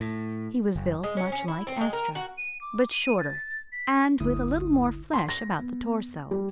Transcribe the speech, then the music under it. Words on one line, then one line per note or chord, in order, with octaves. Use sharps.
He was built much like Estra, but shorter, and with a little more flesh about the torso.
A2
F#1
G#3
C#4
C#4
E4
C4
G#3
A#4
F#4
D#7
D6
D#7
A6
B6
G1 D2 D3 E4 D#6
C6
A#6
B3
G3